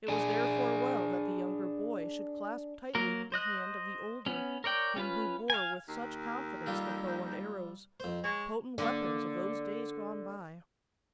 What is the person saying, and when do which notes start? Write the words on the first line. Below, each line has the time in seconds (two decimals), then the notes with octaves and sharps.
It was therefore well that the younger boy should clasp tightly the hand of the older, him who bore with such confidence the bow and arrows, potent weapons of those days gone by!
0.08 D4 G#4
2.95 F#3 A#3 A#4
3.32 C5 D#5 F#6
4.26 B3 C#4
4.64 A#4 C#5 D5 G5
4.96 C#4 F4 B4
5.50 F5 G#5
5.88 D#2
6.66 G3 F4 A4
8.00 F2 C5
8.24 G#3 C#5
8.78 D3 A#3